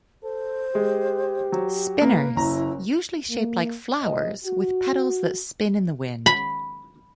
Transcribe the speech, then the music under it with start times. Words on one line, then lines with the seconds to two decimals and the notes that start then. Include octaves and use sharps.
Spinners: Usually shaped like flowers with petals that spin in the wind.
0.23 A4 C5
0.75 G#3 G4
1.52 F#3
2.02 A2 A#3 B4
2.36 F#1 C#4 E4 A#5
3.30 A#3
4.02 A#2 C5 D#5
4.44 F#4
6.26 B5